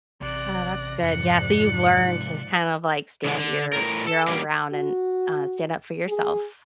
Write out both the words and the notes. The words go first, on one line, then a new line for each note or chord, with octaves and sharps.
Oh, that's good. Yeah. So you've learned to kind of, like, stand your your own ground and, uh, stand up for yourself.
A1 C3 D5 F#6 A#6
F2 G#2 F3 D5 F#6 C#7
C#3 E3 G#3 C#4 D4
D3
A2 A#4
A4
F#3 G3 A#3 C#4 G4
F#4
G#4